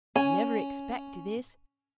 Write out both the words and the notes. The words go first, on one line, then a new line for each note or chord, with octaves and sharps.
I never expected this.
C#4 G#5